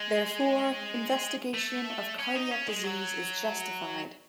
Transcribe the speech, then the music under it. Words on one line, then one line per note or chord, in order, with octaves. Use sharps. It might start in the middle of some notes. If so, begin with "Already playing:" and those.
Therefore, investigation of cardiac disease is justified.
Already playing: G#3
A3
C#4
D#4
C#4
G#3
F#3